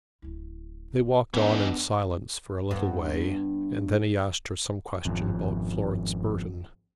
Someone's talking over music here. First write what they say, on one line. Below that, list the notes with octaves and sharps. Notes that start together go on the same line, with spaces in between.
They walked on in silence for a little way, and then he asked her some question about Florence Burton.
D1 E4
F2 E3 B3 D4 D#4
G2 B3
G#1 F2